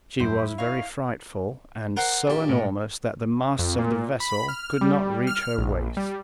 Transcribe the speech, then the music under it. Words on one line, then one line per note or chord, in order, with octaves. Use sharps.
She was very frightful, and so enormous that the masts of the vessel could not reach her waist.
E2 G2 F#3 E4 G4 C5
D#4 C#5 F5
A#4 C5 F#5
A#1 G4
A2
F2
A#2
B5
F6
G3
F6
A#1
G3